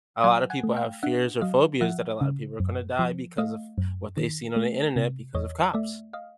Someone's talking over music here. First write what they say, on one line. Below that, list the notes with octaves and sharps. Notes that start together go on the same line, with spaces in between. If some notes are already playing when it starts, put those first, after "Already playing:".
a lotta people have fears or phobias that a lotta people are gonna die because of what they've seen on the internet because of cops.
F#3 F#5 G#5
F#5 G#5
A3
F5 G5
D4 E5 F#5
F#3 D#5 F5
F3 E5 F#5
C#3
F#2
F3
A3 D#5 F5
F#2
D#3
A3
C3
E2 C#5 D#5
A3 D5 E5
D#5 F5